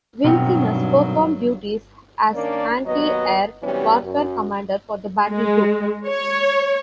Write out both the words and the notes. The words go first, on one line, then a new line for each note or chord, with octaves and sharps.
"Vincennes" performed duties as anti-air warfare commander for the battle group.
G2 B2 D#3 F#3 C4 F#4 G5
D#3 A#3 C#4 D4 A#4 D5
D#2 F#3 B3 B4 D#5
C3 E3 F#3 G3 B3 C#4
F#2
G#3
C#5